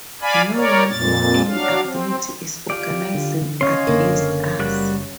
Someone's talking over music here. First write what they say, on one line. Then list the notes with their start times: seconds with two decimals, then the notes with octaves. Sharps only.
No one of any ability is organising against us.
0.21 D5 F5 G#5 B5
0.55 A#4 C#5 D5
0.89 F2 A#2 A6
1.48 F#3 D4 F5
1.83 C4
2.70 F4 G4 D5
3.14 D3
3.61 C#4 C#5 D#5 F5 C6
3.87 F#1 D3 A#3
4.59 F#1 G3 F#4 F#6